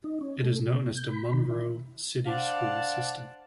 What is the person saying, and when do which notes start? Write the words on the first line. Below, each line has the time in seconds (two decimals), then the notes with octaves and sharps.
It is known as the Monroe City School System.
0.04 D#4
0.21 C#4
0.43 A3
0.67 B2
0.95 G6
1.08 B5
1.34 D#3
1.50 E4
2.26 D4 C5 D5 F5 F#5 A5